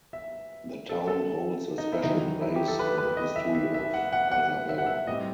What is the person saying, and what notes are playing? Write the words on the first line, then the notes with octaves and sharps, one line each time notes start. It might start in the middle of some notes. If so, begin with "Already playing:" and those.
The town holds a special place in the history of Isabela.
E5
A4
A4
D#4
E4
E2 D#3 F#3 D#4
E4
G4
A4
B4
B4
D#5
E5
E5
E5
F#5
F#5
F#5
E5
F#5
E5
A2 G3 C4 D#5